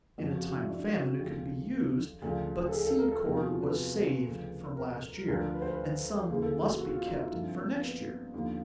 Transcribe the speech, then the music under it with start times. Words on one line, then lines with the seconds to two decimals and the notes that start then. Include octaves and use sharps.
In a time of famine it could be used, but seed-corn was saved from last year, and some must be kept for next year.
0.18 F2 C#3 F3 F4
0.32 F#4
0.44 F#4
0.57 E4
0.69 D4
0.94 F#4
1.21 D2 C#3 F3 G4
2.22 D2 C#3 F3
2.69 A4
2.73 G#4
2.86 A4
2.99 A#4
3.12 A4
3.25 E2 C3 F3 G#4
3.36 F#4
3.50 F4
3.63 B4
4.27 D2 C#3 F3
4.77 A#4
5.28 D2 D3 F3 A#4
5.54 B4
5.62 C5
5.71 B4
6.30 D#2 C#3 E3 G#4
6.42 A4
6.55 G#4
6.69 F#4
6.81 F#4
6.93 F4
7.06 D#4
7.19 E4
7.32 G2 D3 F3 E4
7.45 C4
7.58 A#3
7.70 C4
7.82 B3
8.34 D#2 D3 F3